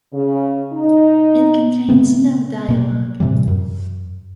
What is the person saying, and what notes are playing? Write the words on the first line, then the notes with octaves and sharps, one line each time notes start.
It contains no dialogue.
C#3
D#4
C#3 A3 B3 C4
B2 A#3
A2 C3 E3 G3
F#2